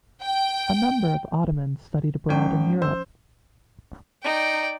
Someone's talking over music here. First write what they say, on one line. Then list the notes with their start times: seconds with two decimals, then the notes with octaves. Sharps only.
A number of Ottomans studied abroad in Europe.
0.21 G5
2.29 G#1 F3 C#4 G5
2.82 C5 E6
4.23 D#4 D5 G5